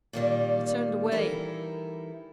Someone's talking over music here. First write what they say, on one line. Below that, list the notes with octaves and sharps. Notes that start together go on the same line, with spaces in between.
He turned away.
A#2 D#3 G3
E3 G3 D#4 E4 A4 A#4